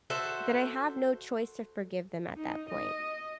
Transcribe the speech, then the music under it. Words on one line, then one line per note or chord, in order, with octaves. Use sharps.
then I have no choice to forgive them at that point,
F#4 A4 C5 E5
D#4
D#5